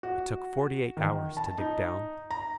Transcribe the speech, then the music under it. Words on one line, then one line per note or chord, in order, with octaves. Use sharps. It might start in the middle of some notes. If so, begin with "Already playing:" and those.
It took forty-eight hours to dig down.
F#4
D#3
A5
D#4
A#5